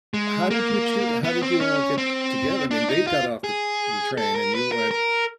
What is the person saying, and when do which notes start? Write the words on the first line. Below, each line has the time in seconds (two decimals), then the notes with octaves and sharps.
how did you two how did you all get together, I mean, they've got off the the train and you went,
0.14 G#3
0.50 A#3
1.24 B3
1.43 C4
1.61 C#4
1.98 C4
2.71 D4
2.89 D#4
3.07 F4
3.44 G#4
4.18 A4
4.35 A#4
4.55 B4
4.72 A#4
4.91 A#4